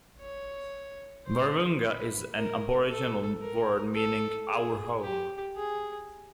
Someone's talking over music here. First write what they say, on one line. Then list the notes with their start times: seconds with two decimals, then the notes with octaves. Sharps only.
Wahroonga is an Aboriginal word meaning "our home".
0.20 C#5
1.27 C5
1.80 B4
2.34 A#4
2.88 A4
3.42 A#4
3.95 A4
4.49 G#4
5.02 G4
5.56 G#4